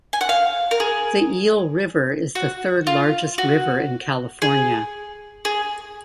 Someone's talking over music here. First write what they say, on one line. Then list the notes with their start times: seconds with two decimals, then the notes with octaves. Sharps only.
The Eel River is the third largest river in California.
0.13 G#5
0.21 F#5
0.29 F5
0.71 A#4
0.80 G#4
2.35 F#4
2.87 F4
3.38 F#4
4.42 G#4
5.45 G#4